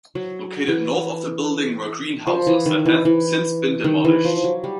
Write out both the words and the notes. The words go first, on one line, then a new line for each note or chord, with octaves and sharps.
Located north of the building were greenhouses that have since been demolished.
F#3
E3
F3
E3
D#3
E3
E3
D#3
E3
F3
F#3
G3